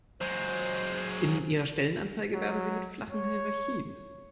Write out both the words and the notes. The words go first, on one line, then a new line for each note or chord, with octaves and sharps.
In Ihrer Stellenanzeige werben Sie mit flachen Hierarchien.
F#3 G#3 C5
F#3
C#5